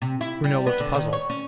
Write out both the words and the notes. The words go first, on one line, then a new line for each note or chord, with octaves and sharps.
Bruno looked puzzled.
C3
E4
G3
B3
D3
D#3
C#5
C#4